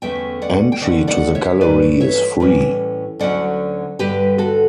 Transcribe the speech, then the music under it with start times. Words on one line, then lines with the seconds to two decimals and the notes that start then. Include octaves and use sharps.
Entry to the gallery is free.
0.02 E2 D3 A3 C#4 E5 G5
0.42 D5 F#5
0.72 G5
0.81 F#2 D3 A3 C#4 D5 F#5
1.08 D5 F#5
1.35 C#5 E5
1.61 G2 E3 A3 C#4 B4 D5
2.01 C#5 E5
2.40 A2 E3 G3 C#4
3.19 D2 D3 F#3 C#4 D5 F#5
3.99 G2 D3 G3 G4 B4
4.38 F#4 A4